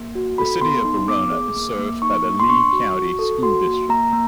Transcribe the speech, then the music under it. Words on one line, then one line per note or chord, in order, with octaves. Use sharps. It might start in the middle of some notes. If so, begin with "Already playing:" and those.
The City of Verona is served by the Lee County School District.
Already playing: A#3
F#4
A4 B5
B3 C6
D#4
B3 D6
G#4
A#3
A#3
D#4 C#6
A#3
C6
D4 C#6
F#4
F#4
A4
F#4 C6
A#3
A#3 A#5
A#3